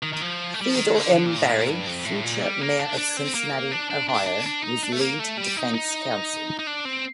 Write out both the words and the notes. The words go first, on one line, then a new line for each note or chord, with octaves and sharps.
Theodore M. Berry, future mayor of Cincinnati, Ohio, was lead defense counsel.
D#3
D#3
F3
A3
G3
F3
D#3
D3
D3
A#2
A2
A#2
G2
F2
A2
A#2
G3
A#3
D4
D4
C4
A#3
D4
D4
D4
D4
D4
D#4
D4
A3
A#3
A3
G3
D#4
D#4
D#4
D4
C4